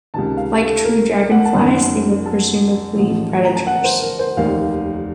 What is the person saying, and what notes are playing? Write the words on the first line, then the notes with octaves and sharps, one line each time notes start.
Like true dragonflies, they were presumably predators.
C#2 C3 D#3 A5
F5
A4
A#4
F#5
A5
F#1 F#2 D#3 F#5
A5
A1 A2 F3
A#5
A5
F#5
C5
A#4
C5
F1 D#2 D#3 F5